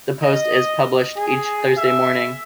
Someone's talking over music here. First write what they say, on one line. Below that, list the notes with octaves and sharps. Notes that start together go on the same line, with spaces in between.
The Post is published each Thursday morning.
D#5
G#4
E5